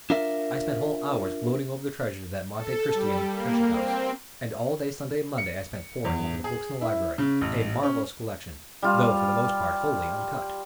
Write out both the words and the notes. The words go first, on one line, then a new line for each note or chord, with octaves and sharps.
I spent whole hours gloating over the treasures of that Monte-Cristan treasure-house, and all day Sunday and Monday I spent poring over the books in the library, a marvellous collection, though for the most part wholly uncut.
D4 F4 A#4 E5
A4
G3
A#3
C4
C#7
E2
G#4
E4
C#3
A1
C#4
G3 F4